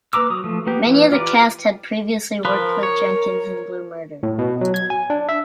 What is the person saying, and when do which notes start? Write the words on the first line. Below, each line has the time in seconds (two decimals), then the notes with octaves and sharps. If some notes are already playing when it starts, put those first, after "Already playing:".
Many of the cast had previously worked with Jenkins in "Blue Murder".
0.13 A#3 B4 A#5 D6 E6
0.30 F#3 D#6
0.44 F3 A3
0.67 A#3 B3 G4
0.86 E3
1.12 F4 G4 A#4 B4 D5
2.45 F3 A#4 B4
2.83 C#5
4.23 A2
4.39 B2
4.61 F#3
4.74 G#6
4.90 G#5
5.10 D4
5.29 E5